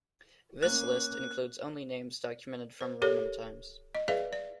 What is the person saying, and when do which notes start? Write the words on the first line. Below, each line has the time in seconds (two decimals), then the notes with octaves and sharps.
This list includes only names documented from Roman times.
0.63 A#3 C#4 F#6
2.81 C5
3.02 G4 A4 A#4 C#5
3.95 D#5
4.08 G#4 B4 D5 E5 F5
4.33 D5